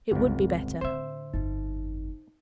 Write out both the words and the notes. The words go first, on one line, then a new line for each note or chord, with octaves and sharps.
It would be better.
G1 C#2 F#2 C4
E1 D#2
A2 D3 C5 E5
G1 F2 D#4